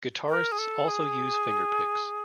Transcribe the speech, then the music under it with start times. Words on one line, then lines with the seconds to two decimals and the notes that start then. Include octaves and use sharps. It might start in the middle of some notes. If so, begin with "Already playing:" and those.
Guitarists also use fingerpicks.
0.29 A#4
0.52 G#4
0.58 A4
0.88 G#4